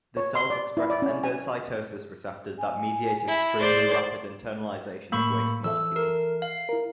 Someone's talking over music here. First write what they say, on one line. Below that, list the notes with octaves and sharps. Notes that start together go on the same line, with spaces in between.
The cells express endocytosis receptors that mediate extremely rapid internalization of waste molecules.
C#5
C6
D5
E4
D5
C#4
G#5
G#5
E4
G#4 C5 D5
A2 A#3 B5 C#6 E6
E3 A4 E5 E6
A#4
F5
E4 A#4